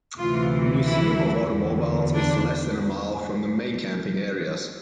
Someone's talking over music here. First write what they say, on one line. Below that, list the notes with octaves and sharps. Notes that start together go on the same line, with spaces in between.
The Museum of Automobiles is less than a mile from the main camping areas.
D2 C3 E3 F4
E4
E2 D3
D4